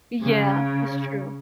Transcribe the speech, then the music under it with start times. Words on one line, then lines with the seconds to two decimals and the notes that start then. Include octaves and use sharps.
Yeah. That's true.
0.21 C#3